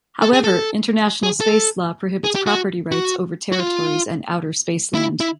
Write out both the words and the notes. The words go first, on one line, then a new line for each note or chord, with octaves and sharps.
However, international space law prohibits property rights over territories and outer space land.
A4
G#4
A4
G#4
A4
G#4
G4
F#4
F#4
F#4
F4
E4
E4